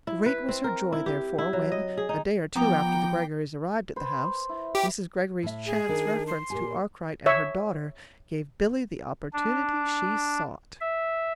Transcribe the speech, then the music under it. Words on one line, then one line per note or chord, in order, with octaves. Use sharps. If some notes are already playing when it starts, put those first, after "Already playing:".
Great was her joy, therefore, when, a day or two after the Greggorys arrived at the house, Mrs. Greggory's chance reference to Arkwright and her daughter gave Billy the opportunity she sought.
E4
B4
C4
A#4
E4
G4
E4
F#3
D#5
G#4
D#4
F3 B3 G5 A#5 D6
B4 C5 B5
E4
G4
A2 E5
G#4
D#3 D4
C6
A#2 G4 G#5
C#5 E5
D4
E5